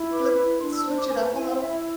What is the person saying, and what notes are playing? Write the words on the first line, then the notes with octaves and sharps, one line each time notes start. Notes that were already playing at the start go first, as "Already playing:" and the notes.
flip switch it up a little
Already playing: E4
B4 D6
E4
D4 C6
E6
C5
D6
B4 G#5
G#5
E4 G#5
F5
E4 E5